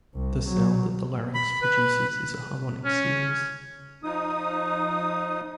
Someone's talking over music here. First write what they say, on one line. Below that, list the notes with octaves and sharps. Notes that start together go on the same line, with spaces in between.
The sound that the larynx produces is a harmonic series.
C2
F#3
B5
B4
C#4
F3 D#4 D#6